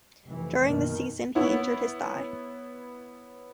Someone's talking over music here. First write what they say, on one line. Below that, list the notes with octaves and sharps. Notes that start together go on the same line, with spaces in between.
During this season, he injured his thigh.
F1 E3
F#2 B2 D#3 A#3
B3 E4 C#5